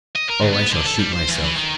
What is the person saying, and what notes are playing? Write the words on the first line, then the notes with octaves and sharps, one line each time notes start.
Oh, I shall shoot myself!
D#5
A#4
D2
B3
D3
A4
G3
C5
E2
E3
D#3